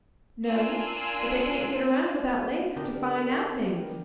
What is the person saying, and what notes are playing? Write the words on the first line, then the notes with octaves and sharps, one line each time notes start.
"No; but they can't get around, without legs, to find out things."
D4 F4 A#4 G#5 E6 F#6
D3 B3 D4 G4 A#4